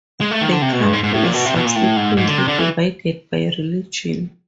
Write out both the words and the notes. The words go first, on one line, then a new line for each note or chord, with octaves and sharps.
The country is subsequently divided by religion.
G#3
A3
D#3
D3
C3
B2
G2
G#2
G#2
A2
A#2
B2
C3
B2
A#2
A2
G#2
G#2
D3
C3
D3
E3